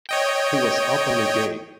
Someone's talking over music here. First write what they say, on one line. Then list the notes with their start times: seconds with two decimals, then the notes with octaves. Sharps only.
He was openly gay.
0.09 C#5 D#5 G5